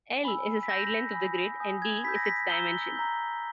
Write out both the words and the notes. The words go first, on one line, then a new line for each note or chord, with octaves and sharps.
"L" is the sidelength of the grid and "d" is its dimension.
G#5 B5 E6
B6
B5 E6 G6 A#6
G#5 B5 D#6
G#5 D#6 G6
G#6
B5 E6 G6 B6
A#6
B6
A#5 E6 G6 G7
A#5 E6 G6